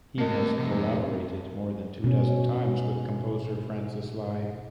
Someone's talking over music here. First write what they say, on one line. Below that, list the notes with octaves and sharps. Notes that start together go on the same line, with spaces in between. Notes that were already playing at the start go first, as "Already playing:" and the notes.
He has collaborated more than two dozen times with composer Francis Lai.
A3 A#3 C4 A#4 D#5
F2 C3
B2 C#4